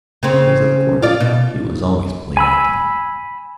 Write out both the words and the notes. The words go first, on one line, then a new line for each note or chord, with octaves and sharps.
Because of course she was always play acting.
C#3 C4
F4 D5
B2
G#5 B5 E6